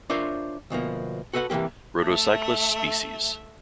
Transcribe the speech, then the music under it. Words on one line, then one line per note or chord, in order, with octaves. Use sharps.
"Rhodocyclus" sp.
D4 F4 A#4 C5 C#5 E5
D2 B2 F3 A#3
F#4 A4 B4 E5 F#5
C3 E3 A3 A#3 G4
A3 E5